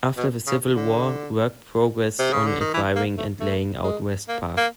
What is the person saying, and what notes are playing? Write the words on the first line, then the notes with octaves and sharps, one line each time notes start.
After the Civil War, work progressed on acquiring and laying out West Park.
B2
C#3
D3
C3
C#3
D3
D#3
E3
A#3
A3
A3
G#3
A#3
A#3